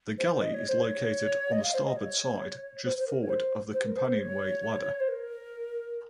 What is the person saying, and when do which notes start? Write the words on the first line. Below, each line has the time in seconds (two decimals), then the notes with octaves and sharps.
The galley is located on the starboard side just forward of the companionway ladder.
0.18 C5
0.40 D#5
0.53 C#5
0.68 C5
0.81 C#5
1.51 D#5
1.63 F5
1.73 C5
1.85 D#5
1.96 C#5
2.85 C5
2.98 C5
3.06 A#4
3.22 C#5
3.29 C5
3.73 C5
3.85 A#4
3.96 C5
4.18 C#5
5.00 C5
5.08 A#4